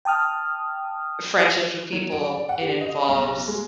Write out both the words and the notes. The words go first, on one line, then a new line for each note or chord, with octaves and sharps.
friendships with people. It involves
G5 A5 D#6 F6
F#3
D7
D5
F#5
G4
D#5
B1
G#3